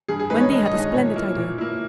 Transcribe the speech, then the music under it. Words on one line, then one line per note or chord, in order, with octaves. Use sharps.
Wendy had a splendid idea.
G2 G#4
G#4
D#3 G#3 D#4 B4
C#5
G2 D#5
D#5
D#3 G#3 D#4
D#5
A#2 C#5
A#3 E4
A#2
A#3 E4